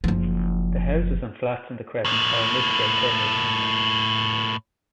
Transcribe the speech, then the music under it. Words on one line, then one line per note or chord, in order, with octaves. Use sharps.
The houses and flats in the Crescent are a mixture of tenures.
F#1 F3
A2 A#3